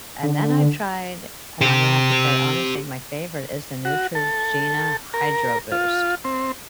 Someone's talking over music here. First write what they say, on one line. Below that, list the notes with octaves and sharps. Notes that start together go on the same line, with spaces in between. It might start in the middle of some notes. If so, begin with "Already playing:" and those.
and then I've tried and I'm gonna have to say honestly my favorite is the Neutrogena Hydro Boost,
D3
G4 C5
F#4
A4
A#4
F4
C4